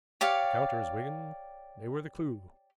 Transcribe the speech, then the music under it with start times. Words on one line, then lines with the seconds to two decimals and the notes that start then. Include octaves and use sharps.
The counters, Wigan, they were the clew.
0.21 G4 C#5 D5 F5